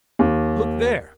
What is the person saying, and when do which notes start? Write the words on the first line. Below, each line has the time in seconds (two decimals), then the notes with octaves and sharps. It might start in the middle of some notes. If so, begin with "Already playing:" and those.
"Look there!"
0.19 D#2